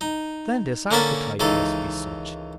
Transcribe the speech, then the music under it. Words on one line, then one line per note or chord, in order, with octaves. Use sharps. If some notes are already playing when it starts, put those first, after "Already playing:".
'Then this archetype must be such.'
D#4
D3 A#3 C#4 A#4 A5 B5
C#2 D#3 E3 D#4 A4